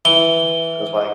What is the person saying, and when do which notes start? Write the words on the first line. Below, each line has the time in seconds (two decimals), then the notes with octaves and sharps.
It was like,
0.05 E3 G7